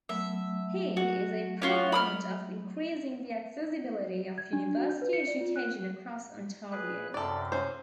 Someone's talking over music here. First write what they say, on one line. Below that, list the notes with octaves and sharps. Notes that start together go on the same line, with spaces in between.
He is a proponent of increasing the accessibility of university education across Ontario.
F#3 A3 B3 E5
F#4
C#4 F4 F#4
B5 D#6 F6
G#6
D4
F#4
G6
B4
C#7
D5
F4
F#6
G#4 B4 F#6
F#2 C3 A4 D5
C#4 C5